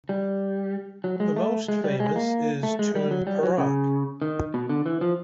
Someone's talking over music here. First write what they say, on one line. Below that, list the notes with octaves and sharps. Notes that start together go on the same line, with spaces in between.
The most famous is Tun Perak.
G3
F#3
G#3
A3
G#3
G3
G#3
A#3
A3
G#3
G3
F#3
G3
F#3
C#3
D#3
B2
D3
E3
F3